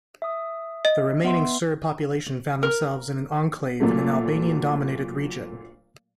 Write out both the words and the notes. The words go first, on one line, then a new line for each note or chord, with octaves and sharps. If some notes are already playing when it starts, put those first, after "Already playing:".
The remaining Serb population found themselves in an enclave in an Albanian-dominated region.
E5 D#6
D#5
B3 E5 C6
A#4
A#2 F#3 A3